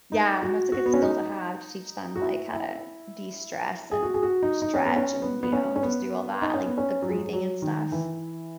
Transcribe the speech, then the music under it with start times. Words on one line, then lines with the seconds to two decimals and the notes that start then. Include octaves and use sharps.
Yeah. No, it's a good skill to have to teach them, like, how to destress and stretch and, you know, just do all that, like, the breathing and stuff.
0.12 D#4
0.42 F#4
0.72 F#4
0.86 B3
0.94 C#4
1.02 D#4
2.16 F#4
2.22 E4
2.52 E4
3.91 G#4
4.03 F#4
4.14 G#4
4.23 F#4
4.43 D#4
4.62 D#4
4.74 C#4
4.85 B3
4.96 C#4
5.22 B3
5.43 B3
5.53 C#4
5.76 C#4
5.83 B3
6.42 D#4
6.54 C#4
6.66 B3
6.78 C#4
7.02 F#3
7.10 G#3
7.17 F#3
7.25 G#3
7.33 F#3
7.62 D#3
7.92 E3